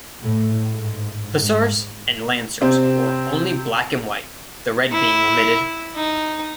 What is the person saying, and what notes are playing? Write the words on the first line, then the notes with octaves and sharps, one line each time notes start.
Hussars and lancers wore only black and white, the red being omitted.
A2
G#2
G#2
C3 C4
E4
D#4